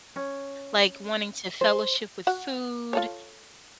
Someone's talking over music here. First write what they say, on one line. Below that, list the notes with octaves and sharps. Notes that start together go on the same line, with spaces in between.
like, wanting to fellowship with food
C#4
C5
F#4 F#5
F4 A4 C#5